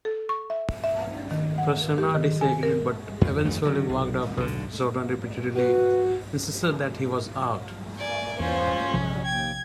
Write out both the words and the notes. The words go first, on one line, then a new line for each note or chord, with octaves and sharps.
Prasanna disagreed but eventually walked after Jordon repeatedly insisted that he was out.
A4
C#6
E5
E5
D#3
F#5
G4
D#3
G#5
A#4
F2
F2 D#3 A3
D3 F#3
B1
B1 D3
F#4 B4
D5 G#5
E2 C#4 F4 C5
A#1 C3 F3
D#2 G5 G#6